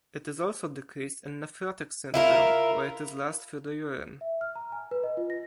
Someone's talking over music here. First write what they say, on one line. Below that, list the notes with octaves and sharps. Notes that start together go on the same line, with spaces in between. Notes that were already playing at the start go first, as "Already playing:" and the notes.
It is also decreased in nephrotic syndrome, where it is lost through the urine.
E4 F4 A#4
E5
F6
A#5
G#5
B4
D#5
F4
A#6